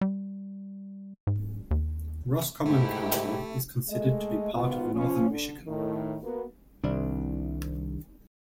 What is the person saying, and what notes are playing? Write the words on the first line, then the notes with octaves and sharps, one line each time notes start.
Roscommon County is considered to be part of Northern Michigan.
G3
G#2
D#2
G#2 A3 E4 G4
G#3 A3 D#5
G#2 B2 D#3 B3 F4
F3 C#4 F4
D3
A2 D#3
A#3 B3 F#4
C2 D#3 D4